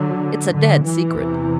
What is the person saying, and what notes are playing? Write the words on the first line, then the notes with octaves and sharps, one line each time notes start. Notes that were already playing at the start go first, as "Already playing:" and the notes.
It's a dead secret.
Already playing: D3 F#3
D3
E3
E2 C3